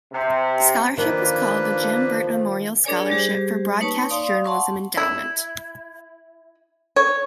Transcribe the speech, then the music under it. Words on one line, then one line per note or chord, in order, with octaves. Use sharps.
The scholarship was called the Jim Burt Memorial Scholarship for Broadcast Journalism Endowment.
C3
D#3 F3 A#3 D4 B4
D4 G#4 A#4 C#5 D5 G#5
G3 G4 G#4 C5
A#3 D#4 B4 C#5 A5 C#6
D5 F5 C6 D#6
F#5 A5 C6 C#6
E4
C#5